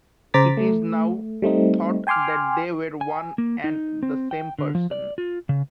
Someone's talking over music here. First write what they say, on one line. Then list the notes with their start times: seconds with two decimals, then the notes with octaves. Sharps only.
It is now thought that they were one and the same person.
0.34 C#3 C5 A#5 D6 A6 B6
0.57 A3
1.42 G3 A3 C4 D#4
2.07 G5 G#5 C6 D6 F6
3.01 G#5
3.38 A#3
3.64 D#4
4.03 C4
4.31 G5
4.59 D3
4.75 F3
4.91 D5
5.18 F4
5.49 C#3